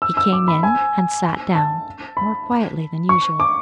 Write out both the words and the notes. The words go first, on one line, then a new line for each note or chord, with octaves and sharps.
He came in, and sat down, more quietly than usual.
E6
E6
D6
B5
G#5
A5
B5
C#6
D6